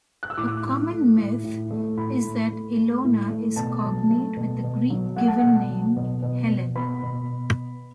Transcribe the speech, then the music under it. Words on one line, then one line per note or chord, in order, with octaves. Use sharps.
A common myth is that Ilona is cognate with the Greek given name "Helen".
F#6
E6
A2 D6
A2
A3
A2
A2
A3
A2 B5
A2
A3
A3
A2
A3
B2 A5
F#3
A3
B2
B2
F#3
A3 F#5
A5
B2 F#5
F#3
B2
B2
B2
B3 B5
B2